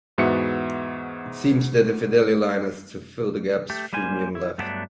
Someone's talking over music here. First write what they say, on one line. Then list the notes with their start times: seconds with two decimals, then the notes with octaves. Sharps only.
It seems that the Fidelio line is to fill the gap streamium left.
0.18 E2 G#2 B3 F#4 E5 C#7
3.70 A3 G4
3.93 G3 A#3 C5 G#5
4.35 E4
4.58 G2 F#3 A3 B3 D4